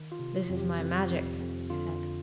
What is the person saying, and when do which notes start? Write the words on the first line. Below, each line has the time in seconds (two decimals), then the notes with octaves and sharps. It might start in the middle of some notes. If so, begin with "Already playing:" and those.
"This is my magic," he said.
Already playing: D#3
0.12 F4
0.19 C3
0.49 F2
0.57 G4
0.79 F2
1.10 F2
1.40 F2
1.70 D3 F4